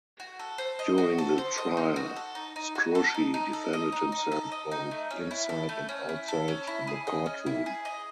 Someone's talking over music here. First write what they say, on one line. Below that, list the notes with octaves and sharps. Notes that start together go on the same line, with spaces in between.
During the trial, Scrushy defended himself both inside and outside the courtroom.
F#4
A4
C5
D#5
F#4
A4
C5
D#5
D#4
F#4
A4
D#4
D#4
F#4
A4
D#4
D#4
A4
D#5
D#4
D#4
A4
D#5
D#4
A3
C#4
E4
A4
A3
C#4
E4
A4
C#4
E4
G#4
D#5
C#4
E4
G#4
D#5